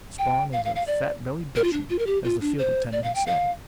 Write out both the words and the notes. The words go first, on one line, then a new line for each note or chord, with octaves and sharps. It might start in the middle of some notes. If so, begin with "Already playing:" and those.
Spawn was a fat-bellied Dutchman, as the field attendant had said.
G5
F5
F5
F5
D5
A#4
F4
D4
F4
A#4
G4
F4
D4
C5
D5
F5
G5
F5